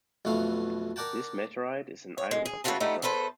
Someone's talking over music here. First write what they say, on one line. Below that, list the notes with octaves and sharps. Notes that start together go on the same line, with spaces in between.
This meteorite is an iron octahedrite.
B1 F2 A3 B3 F5
A#4 D5 F#5 G5 A5
C#5
G#3
G#4
C#3 E3 F3 F4 F#4 A5
F3 G3 A3 B3 D#4
E2 A2 A4 B4 C5